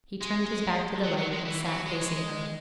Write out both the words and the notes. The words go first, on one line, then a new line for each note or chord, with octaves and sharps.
He turned his back to the light, and sat facing her.
G#3
F#3
F#3
G#3
E3
F#3
G#3